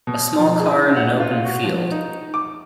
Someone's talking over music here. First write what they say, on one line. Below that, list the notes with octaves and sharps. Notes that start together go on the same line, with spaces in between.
A small car in an open field.
B2
F3
G#4
E4
F#5
F4
F#4
F3
D#4
D6